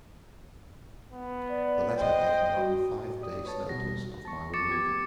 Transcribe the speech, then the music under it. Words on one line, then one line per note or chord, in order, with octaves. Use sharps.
The letter gave me only five days' notice of my removal.
B3
D5
C5 D#5 G5
F#4
G4 D5 D#6
B4 C#5 A5
B2 G3 F#4 A#6
A5 C#6
C#6 D6 A6 C#7
B3 G4 G#6